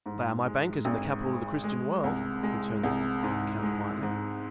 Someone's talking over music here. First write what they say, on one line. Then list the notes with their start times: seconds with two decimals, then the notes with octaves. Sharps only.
"They are my bankers in the capital of the Christian world," returned the count quietly.
0.06 G#2
0.45 G#3
0.85 G#1
1.25 G#3
1.64 G#3
2.04 C2
2.43 G#3
2.83 C2
3.23 G#2
3.63 G#3
4.02 G#2